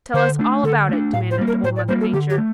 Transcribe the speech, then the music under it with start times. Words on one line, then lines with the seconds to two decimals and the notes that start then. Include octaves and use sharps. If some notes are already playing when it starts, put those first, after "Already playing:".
"Tell us all about it," demanded Old Mother Nature.
0.14 D3 C5
0.39 A3 D4
0.64 D3 A4
0.89 A3 D4
1.13 A2 F5
1.31 C5
1.39 G3 A#3
1.47 A#4
1.63 A2 C5
1.76 D5
1.88 G3 A#3 C5
2.01 A4
2.13 D3 G4
2.30 G4
2.38 A3